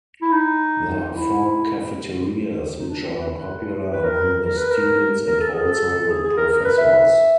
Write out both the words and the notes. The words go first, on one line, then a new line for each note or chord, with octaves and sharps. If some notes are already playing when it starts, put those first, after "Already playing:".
There are four cafeterias which are popular among the students and also the professors.
E4
D#4
E4
D#4
D4
C4
F4
B4
B4
A#4
A#4
B4
A#4
A#4
A4
G#4
A4
G#4
G#4
A#4
A#4
B4
E5